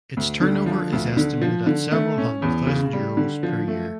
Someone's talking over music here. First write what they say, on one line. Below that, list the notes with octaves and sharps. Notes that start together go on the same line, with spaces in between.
Its turnover is estimated at several hundred thousand euros per year.
D2
D3
F3
D2
D3
F3
D3
A3
C#4
E2
C#3
G3
D3
F3
A3